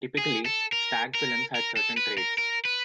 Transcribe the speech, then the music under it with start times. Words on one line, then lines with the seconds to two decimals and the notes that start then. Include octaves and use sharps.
Typically, stag films had certain traits.
0.18 G#4
0.46 A4
0.72 A#4
1.15 A#4
1.55 A#4
1.77 A4
1.97 B4
2.18 A#4
2.38 A#4
2.65 B4